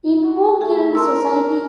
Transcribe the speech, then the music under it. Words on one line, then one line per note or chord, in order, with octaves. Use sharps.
In Who Killed Society?
F#4
A3 G#4 A4
A#4 A5 C6 E6